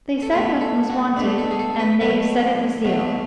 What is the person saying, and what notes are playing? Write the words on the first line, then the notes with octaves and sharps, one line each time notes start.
They said what was wanted and they said it with zeal.
A4
B2 A3 B4
A4
F#4
B2 A3 D4
A4
G#4
A4
B4
B2 F#3 A3 B4
B2 F#3 A3